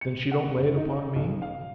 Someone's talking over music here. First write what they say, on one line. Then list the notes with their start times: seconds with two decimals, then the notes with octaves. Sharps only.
Then she don't lay it upon me?
0.01 C#7
0.32 F#5
0.57 F#1
0.77 D#4
1.16 B1
1.42 F5